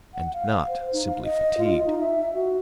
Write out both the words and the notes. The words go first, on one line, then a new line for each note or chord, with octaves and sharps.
And not simply fatigued!
F#5
F5
C5
D#4
F5
D#5
F4
D#4
E5
F#4